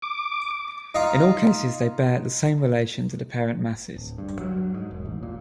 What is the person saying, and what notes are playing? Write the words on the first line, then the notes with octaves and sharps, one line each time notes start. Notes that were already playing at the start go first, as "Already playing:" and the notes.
In all cases, they bear the same relation to the parent masses.
D6
D#4 F4
D1
G2
F#3
G#2
E1
A1
A#2